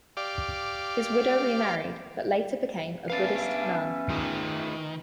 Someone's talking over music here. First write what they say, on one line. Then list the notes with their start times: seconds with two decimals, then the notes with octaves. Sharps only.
His widow remarried but later became a Buddhist nun.
0.17 G4 D5 F5
3.10 B3 C#4 D4 B4 E5 F5 A6
4.09 D#3 A3 F4 G#4